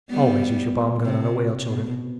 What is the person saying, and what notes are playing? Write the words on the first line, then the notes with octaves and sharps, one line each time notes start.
Always use your bomb-gun on a whale, children.
G3 B3
C3
B2